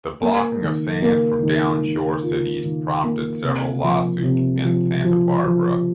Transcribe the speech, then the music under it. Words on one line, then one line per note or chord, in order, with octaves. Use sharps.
The blocking of sand from downshore cities prompted several lawsuits against Santa Barbara.
A#3
D#3
A#3
D#3
D#3
F4
D#3
A#3
C3
F3
C3
F3
F3
F3